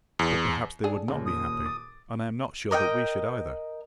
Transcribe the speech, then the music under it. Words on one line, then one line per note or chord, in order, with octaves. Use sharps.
But perhaps they would not be happy, and I am not sure that we should either.
E2
D4 G#4 A4
D#2 A#2 C#3
D#6
D6 A6
A#4 D#5 F#5 G5